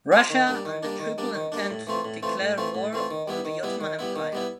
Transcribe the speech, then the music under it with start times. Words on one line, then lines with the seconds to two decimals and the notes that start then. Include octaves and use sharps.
Russia and the Triple Entente declared war on the Ottoman Empire.
0.12 C4 F4 G#4
0.30 D#3
0.47 G3 A#3 D4
0.65 D#3
0.83 G3 A#3 D4
1.00 D#3
1.18 G3 A#3 D4
1.35 D#3
1.52 G3 A#3 D4
1.70 A2
1.87 E3 A3 C4 F4
2.05 A2
2.23 E3 A3 C4 F4
2.41 A2
2.58 E3 A3 C4 F4
2.75 A2
2.93 E3 A3 C4 F4
3.11 D#3
3.28 G3 B3 E4
3.45 D#3
3.63 G3 B3 E4
3.81 D#3
3.99 G3 B3 E4
4.16 D#3
4.33 G3 B3 E4